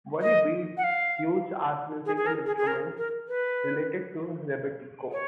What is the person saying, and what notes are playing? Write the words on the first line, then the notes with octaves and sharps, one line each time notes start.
Worry beads used as musical instrument, related to rebetiko.
D#5
F#5
F5
G#4
G#4
A#4
G#4
G#4
A#4
A#4
B4
C#5